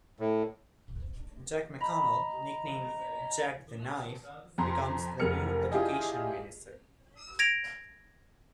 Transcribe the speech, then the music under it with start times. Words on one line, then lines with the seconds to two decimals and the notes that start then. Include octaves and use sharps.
Jack McConnell, nicknamed "Jack the Knife", becomes the new Education Minister.
0.19 A2
1.81 D#5 A#5 B5
4.58 F2 A#5 C6
5.20 F1 F2 G#3 A#4 F6 C#7
5.71 D4 E4 F4 G4 G#4 D#5
7.39 G#6 A#6 D7 F7